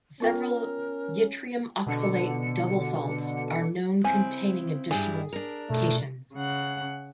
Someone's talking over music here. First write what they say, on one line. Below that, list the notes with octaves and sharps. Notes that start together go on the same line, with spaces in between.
Several yttrium oxalate double salts are known containing additional cations.
B3 C#4 F4 A#4 G5
B2 D3 C#7
C#3 C4 E4 G#5
G2 G3 E4 G#4
D4 A#4
B2 A3
C#3 F#5